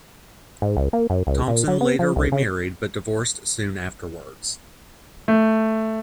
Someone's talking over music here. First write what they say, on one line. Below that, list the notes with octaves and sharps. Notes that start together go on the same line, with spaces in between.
Thompson later remarried but divorced soon afterwards.
G#2
C#2
A#3
F#2
C#2
A#2
F#3
B3
F3
C2
C#3
A3